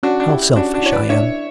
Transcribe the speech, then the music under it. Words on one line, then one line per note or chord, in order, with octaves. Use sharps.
How selfish I am.'
C#4 D4 F#4
D4
E4 G4
C#4 D4 F#4
D4 F#4
E4 C#5
B4 D5
D4 C#5 E5